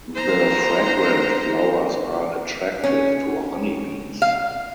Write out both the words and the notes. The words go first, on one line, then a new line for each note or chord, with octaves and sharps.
The fragrant flowers are attractive to honey bees.
C5 A#5
C#4
F5